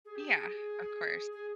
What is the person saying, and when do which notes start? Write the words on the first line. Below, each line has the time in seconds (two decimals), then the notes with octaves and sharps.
Yeah, of course.
0.05 G#4
0.15 G4
0.26 G#4
0.37 G#4
1.32 G#4